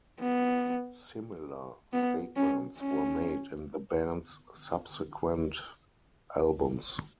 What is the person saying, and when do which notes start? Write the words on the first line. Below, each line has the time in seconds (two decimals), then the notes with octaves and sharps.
Similar statements were made in the band's subsequent albums.
0.21 B3
1.93 B3
2.36 C#4
2.79 C#4